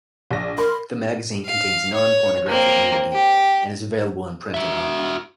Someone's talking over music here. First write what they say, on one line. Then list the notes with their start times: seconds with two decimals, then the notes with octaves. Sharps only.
The magazine contains non-pornographic nudity, and is available in print and on-line.
0.31 A#1 A#6
0.58 A#4 B5 C6
1.46 F5
1.94 C#5
2.48 A#3 C4
3.13 G4
4.54 F#4 E5